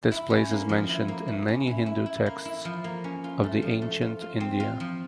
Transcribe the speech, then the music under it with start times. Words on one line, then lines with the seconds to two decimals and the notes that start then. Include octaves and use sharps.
This place is mentioned in many Hindu texts of the ancient India.
0.12 E4
0.30 C#4
0.51 A#3
0.69 F3
0.89 E4
1.08 A#3
1.28 E4
1.48 C#4
1.67 E4
1.86 E4
2.06 E4
2.26 A#3
2.45 E4
2.65 F3
2.84 A#3
3.04 C#4
3.24 F4
3.44 A3
3.62 F3
3.82 A3
4.01 F4
4.22 F4
4.40 C4
4.60 F4
4.80 F3